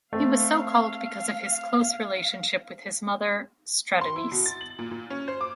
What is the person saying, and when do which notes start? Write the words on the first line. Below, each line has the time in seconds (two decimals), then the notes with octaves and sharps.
He was so-called because of his close relationship with his mother Stratonice.
0.13 A3 C4 F5
4.01 C6
4.16 E4
4.32 B2
4.46 A6
4.61 F#7
4.79 A#2
4.91 A#2
5.10 C#4
5.28 C5
5.41 D6